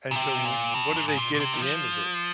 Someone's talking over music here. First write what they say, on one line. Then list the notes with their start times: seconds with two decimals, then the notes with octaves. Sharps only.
and so w what do they get at the end of this?
0.11 A#2
0.16 C3
0.45 A#2
0.74 F2
0.96 G#2
1.08 G#2
1.18 A#2
1.34 A#2
1.40 C3
1.53 D#3
1.62 F3